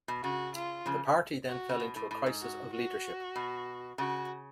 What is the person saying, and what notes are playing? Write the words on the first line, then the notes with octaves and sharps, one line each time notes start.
The party then fell into a crisis of leadership.
B2
C#3 F#4
F4
C#3 F3
F#4
C#3
B2
A2
A2
G#2
F#4
F#4
B2
C#3 F#4